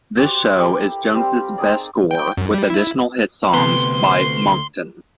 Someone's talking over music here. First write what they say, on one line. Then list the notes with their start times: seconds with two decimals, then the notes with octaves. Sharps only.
This show is Jones' best score, with additional hit songs by Monckton.
0.17 F#4 G4 C5 D5
0.58 E4 G4 A4 A#4
1.14 G3 C4 F5
1.58 C4 D#4 G#4 D5
2.11 G5
2.37 F#2
2.54 G3
2.70 E4
3.54 D2 C3 B3 C6